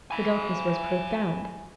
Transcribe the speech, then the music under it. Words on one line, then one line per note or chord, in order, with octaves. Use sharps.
The darkness was profound.
G#5 B5